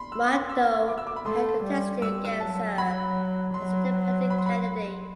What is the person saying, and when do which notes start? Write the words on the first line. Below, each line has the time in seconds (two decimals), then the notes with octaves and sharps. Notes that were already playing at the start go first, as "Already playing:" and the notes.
Mahto had contested against her as Independent candidate.
Already playing: B5 C6
0.12 E6
0.31 D6
0.49 E6
0.88 D6
0.98 E6
1.07 D6
1.16 B5
1.26 A3 C6
1.64 G3
2.02 G3 E6
2.25 E6
2.39 F#3 A5
2.78 F#3 B5
3.54 F#3 C6
4.30 B5
4.38 C6
4.46 B5